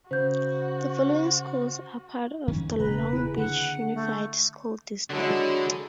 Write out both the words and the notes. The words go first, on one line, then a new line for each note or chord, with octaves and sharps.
The following schools are part of the Long Beach Unified School District.
C#3 F#4 C5 G6
F2 D#3 C#4
E1 A#2 C#3 B4 A#5
E4 G#4
D3 F#5
A3
D3 F#3 G#3 E4 A4